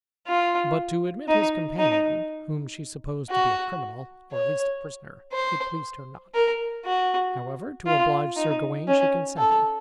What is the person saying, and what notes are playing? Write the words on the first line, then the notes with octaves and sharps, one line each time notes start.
But to admit his companion, whom she supposed to be a criminal, or at least a prisoner, it pleased her not; however, to oblige Sir Gawain, she consented.
F4
D#4
D#4
F#4
C#5
C5
A#4
F#4
F4
D#4
C#4
A4